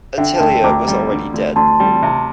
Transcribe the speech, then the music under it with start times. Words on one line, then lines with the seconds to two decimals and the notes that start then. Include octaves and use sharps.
Attilia was already dead.
0.18 D3 E5 G5
0.36 A5
0.40 D2 E5 G5
0.64 D2 A#5 D6
0.88 G3
1.10 D3
1.34 D2
1.56 D2 A5 C6
1.80 G3
2.03 C3